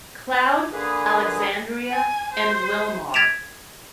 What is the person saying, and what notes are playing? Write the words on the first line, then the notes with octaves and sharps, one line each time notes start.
Cloud, Alexandria, and Willmar.
D3 A#3 G#4 B4
G#5
C5
G#6 A6 B6 D7 E7 F7